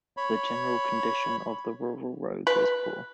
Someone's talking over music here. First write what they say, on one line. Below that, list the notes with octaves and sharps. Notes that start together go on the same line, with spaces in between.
The general condition of the rural roads was poor.
C#5 B5
B4